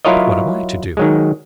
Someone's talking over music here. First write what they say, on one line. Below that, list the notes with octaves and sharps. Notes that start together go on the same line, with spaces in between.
"But what am I to do?"
F#3 E4 F4 A#4 C#5 D#5
D#3 F#3 G#3